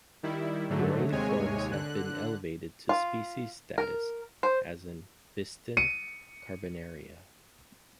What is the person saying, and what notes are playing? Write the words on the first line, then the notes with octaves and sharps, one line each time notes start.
Rarely forms have been elevated to species status as in "Biston carbonaria".
D#3 G3 E4
G#2 D3 F#3 A3
D#2 C3 G#3 C#5 G#5
D3 F#6
F4
A#4
C5
C#7 D#7